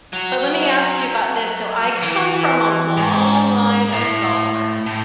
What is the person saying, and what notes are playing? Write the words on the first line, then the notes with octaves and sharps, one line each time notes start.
but let me ask you about this so I come from a long line of golfers.
F#3
E3
G#2
A2
A2